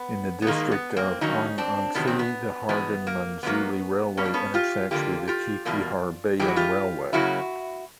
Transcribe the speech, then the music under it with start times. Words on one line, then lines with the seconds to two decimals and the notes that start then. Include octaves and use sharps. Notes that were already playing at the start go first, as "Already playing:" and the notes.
In the district of Ang'angxi, the Harbin-Manzhouli Railway intersects with the Qiqihar-Bei'an Railway.
Already playing: B3
0.42 B3
0.47 G#2 D#3 G#3 A#3
0.71 B3
0.97 A#3 C4
1.21 G2 D#3 F#3 A#3 C#4 D#4
1.58 C4 D4
1.94 E2 C3 D#3 F#3 B3
2.07 C4
2.19 B3
2.69 E2 B2 G#3 B3
3.07 A#3
3.43 F#2 C#3 F#3 A#3 B3
4.17 B2 G3 A#3 C#4
4.25 D4
4.34 B3 C#4
4.54 F4 G4
4.91 F2 D3 G3 A#3 F4 G4
5.28 F4 G4
5.65 E2 B2 G3 A#3
6.39 G2 E3 G#3 G4
6.48 F#4
6.56 F4 G4
7.13 F#2 C#3 F#3 A#3 E4 F#4